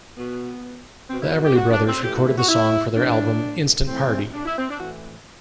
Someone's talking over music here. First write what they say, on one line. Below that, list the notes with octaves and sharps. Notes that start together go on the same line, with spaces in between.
The Everly Brothers recorded the song for their album "Instant Party!".
B2 B3
B2 C4
E4
F#4
G4
F#4
D4
C4
A2 E3 G4
F#4
E4
F#4
E4
A2 E3 D4
A2 E3 C4
D4
E4
C4
D4
A2 E3 F#4